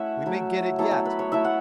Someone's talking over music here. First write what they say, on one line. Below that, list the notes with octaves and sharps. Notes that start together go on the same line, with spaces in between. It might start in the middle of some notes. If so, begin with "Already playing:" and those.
"We may get it yet!"
Already playing: A3 C#4 E4 F#4 C#5 E5 F#5
F#3 A3 E4
F#3 B3 E4 A4
A4
B4
C#5
A3 E4 E5
F#5